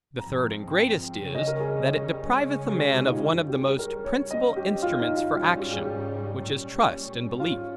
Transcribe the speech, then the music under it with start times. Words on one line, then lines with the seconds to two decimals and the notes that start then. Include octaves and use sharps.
The third and greatest is, that it depriveth a man of one of the most principal instruments for action; which is trust and belief.
0.19 G#2 F3 C4 A#5
0.71 G5
1.22 C#3 G3 C#4
1.35 D#5
1.47 A#4
1.60 G#4
2.24 C#3 G#3 C#4
2.76 G4
2.94 G4
3.03 D#4
3.11 F4
3.28 G2 G3 C#4
3.48 G4
3.53 G#4
3.79 A#4
4.05 C#5
4.31 G2 G3 C#4 D#5
4.56 G4
4.82 F4
5.00 D#4
5.16 F4
5.33 G#2 G3 C#4 F4
5.46 F4
5.60 G4
5.73 G#4
5.85 G4
6.36 A#2 G3 C#4
7.39 G#2 G3 C#4 F4